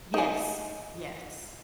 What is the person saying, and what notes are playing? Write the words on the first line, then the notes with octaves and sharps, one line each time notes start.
Yes, yes.
D#4 G#5